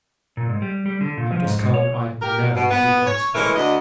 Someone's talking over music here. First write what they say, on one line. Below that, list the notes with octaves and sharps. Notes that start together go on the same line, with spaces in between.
Kantos Kan eyed me narrowly before he spoke.
A#2
G#2
G3
G3
D3
A#2
F3
G#2
G#2
C#5
G4 A#4
B2
B3
C#5
E3 G#3 A3 C#4 A#4
D2 D#5